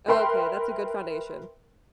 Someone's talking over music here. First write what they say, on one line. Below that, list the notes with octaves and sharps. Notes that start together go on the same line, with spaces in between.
Okay, that's a good foundation.
A#4 B4 E5 G5 C6